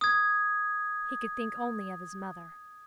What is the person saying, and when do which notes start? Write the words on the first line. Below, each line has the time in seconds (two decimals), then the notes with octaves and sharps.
He could think only of his mother.
0.01 D#6 G#6